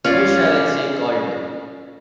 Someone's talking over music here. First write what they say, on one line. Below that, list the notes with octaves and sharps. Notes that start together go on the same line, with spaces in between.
Who shall I say called?
C#4 F4 D5